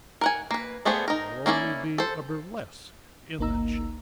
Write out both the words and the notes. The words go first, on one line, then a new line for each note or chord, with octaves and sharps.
It will only be a burlesque in that shape.
A#4 F#5 G#5
A#3 B4
G3 A3 B3 G#4 C5
D#4 A#4
A#3 C#4 E4 A4 D5
A4 C5
G1 C#2 A#3 D#4 A#5 E6